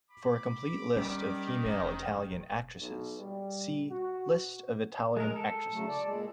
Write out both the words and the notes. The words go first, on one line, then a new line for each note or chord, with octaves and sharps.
For a complete list of female Italian actresses, see: List of Italian actresses.
B5 D6
D#3 G3 C#4
F1
B1
G3
F#4
G#3 A#4
A4
C#3 F#3 A3
D5
A#2 G#3